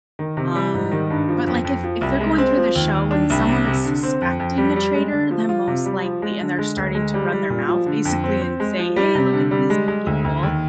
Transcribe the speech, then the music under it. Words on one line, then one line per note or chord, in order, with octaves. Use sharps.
um, but like if if they're going through the show and someone is suspecting a traitor, then most likely and they're starting to run their mouth basically and say, "Hey, look at these people,"
D#3
C3
G3
G#2
D#3
G2
F3
F2
F2
F3
C2
G#3
C4
F3
D#2
D#2
D4
C2
C3
C3
D3
C4
F2
F2
G3
G3
G#3
D3
F3
F4
C3
G3
F3
G#3
D3
G#3
D2
G#3
G3
G3
A#2
F3
D3
F2
C4
C4
G#3
F3
G3
C3
D3
G3
G#3
G#3
D2
D2
D#2